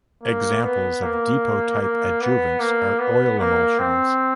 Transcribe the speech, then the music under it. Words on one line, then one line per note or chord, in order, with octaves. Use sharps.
Examples of depot type adjuvants are oil emulsions.
A#3
B3
A#3
A#3
B3
A#3
B3
A#3
C4